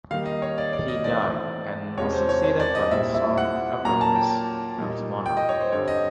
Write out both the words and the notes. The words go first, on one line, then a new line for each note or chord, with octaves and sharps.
He died and was succeeded by his son Ebraucus as monarch.
D#3 G3 A#3 D#4 F5
D#5
C#5
D5
D5
D#5
A2 E3 A3 C4 D#4 D5
E2 C3 F3 G#3 C#4 C#5
C5
C#5
C#5
D5
D#5
A#2 G3 C4 E4 E5
E5
F#5
A#2 F#3 A#3 C#4 A#5
A5
G5
A#2 G3 A#3 D#4
G5
D#5
C#5
C5
G2 D3 G3 C4 C#5
D#5